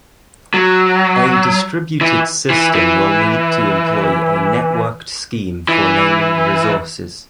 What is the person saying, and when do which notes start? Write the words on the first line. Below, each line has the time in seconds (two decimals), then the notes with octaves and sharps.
A distributed system will need to employ a networked scheme for naming resources.
0.54 F#3
2.01 E3
2.50 E3
2.75 E3
5.69 E3